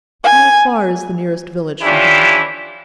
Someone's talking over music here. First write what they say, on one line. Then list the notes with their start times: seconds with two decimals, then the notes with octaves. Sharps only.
"How far is the nearest village from here?"
0.24 G#5
1.82 E3 C#4 D4 E4 F4 G4